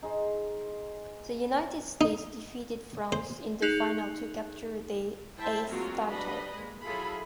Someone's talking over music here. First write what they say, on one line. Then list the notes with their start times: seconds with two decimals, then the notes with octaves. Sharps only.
The United States defeated France in the final to capture their eighth title.
0.03 D#4 G#4 C5
2.01 D#4
3.12 C5
3.62 D#4 G#4 F#6 F7
5.38 E4 C5 E5 G5 A5
5.68 F#3 G#3 A#3 C4 F4 F#4
6.08 G3 D4 B4 D#5 B5
6.54 G#3 A#3
6.84 F#3 E4 F4 G#4 A4 B5